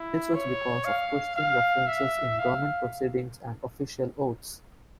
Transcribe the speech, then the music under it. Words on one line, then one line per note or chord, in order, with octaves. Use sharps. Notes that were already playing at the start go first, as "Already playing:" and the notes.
This was because of Christian references in government proceedings and official oaths.
Already playing: E4
C#5
F5
F5
E5
F5